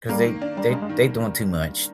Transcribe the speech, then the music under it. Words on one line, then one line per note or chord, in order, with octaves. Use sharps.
'cause they they they doing too much.
G3 A#3
D#3
D4
G3 D4
G#3
G2
G#3
D#3